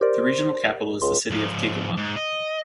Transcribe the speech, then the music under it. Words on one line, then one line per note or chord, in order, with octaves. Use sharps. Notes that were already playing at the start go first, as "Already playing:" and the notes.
The regional capital is the city of Kigoma.
G4 A#4 C5 D5
C#2 C6
G#2 F3
G#2
D#5